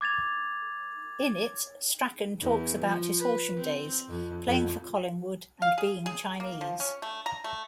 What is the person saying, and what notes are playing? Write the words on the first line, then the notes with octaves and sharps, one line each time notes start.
In it, Strauchan talks about his Horsham days, playing for Collingwood, and being Chinese.
D6 G#6 A6 F7
E2
F3
B4
C4
F2
F2
F5
G#4
G#4
A#3
F3
C#4
A3
A#5
A3